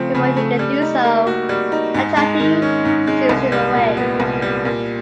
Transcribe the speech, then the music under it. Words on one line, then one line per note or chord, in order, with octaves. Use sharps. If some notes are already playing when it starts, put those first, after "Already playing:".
Before he can do so, Itachi seals him away.
Already playing: C#3 F3 A3 C4
C#3
A3
G3
D#4
A#3
F#4
G3
D#4
G#2
G#3
D#3
C#4
G#2
G#3
C2
G3
A#2
B3
C2
G3
A#2